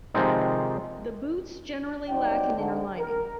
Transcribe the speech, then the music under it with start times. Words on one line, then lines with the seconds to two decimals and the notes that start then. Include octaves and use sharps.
The boots generally lack an inner lining.
0.14 C3 D#3 F3 G#3 C4 D#4
2.09 G2 F#3 C4 D#4 D5 G5
2.56 G#2 D3
2.98 A#4